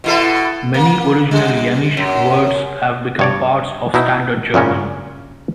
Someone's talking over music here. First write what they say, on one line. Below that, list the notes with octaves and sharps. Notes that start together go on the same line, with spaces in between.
Many original Yeniche words have become parts of standard German.
B2 E4 A4
A#3
G3
F#2
G2 C#5 D5
B2 D#4 E4
F#2 A#2 C#3 C#4 F#4